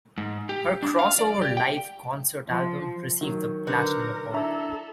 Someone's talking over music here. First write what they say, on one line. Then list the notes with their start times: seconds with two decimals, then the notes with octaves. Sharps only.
Her Crossover Live Concert album received the Platinum Award.
0.18 G#2
0.49 G4
0.83 D4
0.99 F5
1.19 D5
1.42 G4
1.57 G5
2.47 F3
3.21 D#3 F#3
3.67 D3 A#4 B4 G6
4.34 D4 E4 A4 E5 A#5